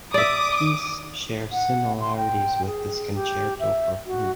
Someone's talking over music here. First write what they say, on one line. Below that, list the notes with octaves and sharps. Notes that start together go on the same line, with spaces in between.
The piece shares similarities with his concerto for flute.
D5 E5 D6 D#6
F#5
C6
G5
G#4
G4
E5
F#4